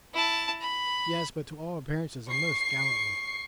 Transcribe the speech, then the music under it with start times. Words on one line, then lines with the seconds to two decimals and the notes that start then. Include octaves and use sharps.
"Yes, but to all appearances a most gallant one."
0.13 E4 A5
0.61 B5
2.30 C#6 C7